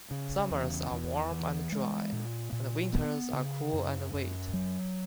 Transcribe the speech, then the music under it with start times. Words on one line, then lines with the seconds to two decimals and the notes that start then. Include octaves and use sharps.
Summers are warm and dry, and winters are cool and wet.
0.11 C#3
0.51 E2
0.91 E2
1.32 E3
1.72 G#3
2.13 A#2
2.52 A#2
2.93 B3
3.33 C#3
3.73 F#2
4.14 F#2
4.54 F#3